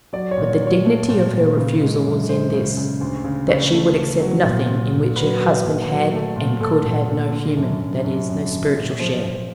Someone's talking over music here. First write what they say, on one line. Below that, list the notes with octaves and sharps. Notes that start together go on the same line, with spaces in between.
But the dignity of her refusal was in this--that she would accept nothing in which her husband had and could have no human, that is, no spiritual share.
F#3 D5
C#5
A#2
C#5
F#3
C#5
A3
A#2
A#2
C#3
G#3
F#2
G#3 C5
C#3
C#3
D2
C#3
C#3
A3
C#3
F#3
A#2
A#2
A#2
F#3 B4
F#3
A#2
F#3
A3
A#2
A#2 A4
A#2
A#2
D3
F#2
F#2
F#2
F#2
F#2
A#2
F3
F3